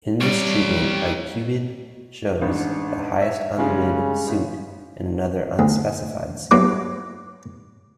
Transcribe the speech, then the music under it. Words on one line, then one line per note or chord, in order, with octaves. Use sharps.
In this treatment a cuebid shows the highest unbid suit and another unspecified suit.
G3 G4 C#5
A1 G#2 D4
C#5 E5
C#3 G3 G#3 C#4
A1
D2
G2 F#3 A#3 E4 D6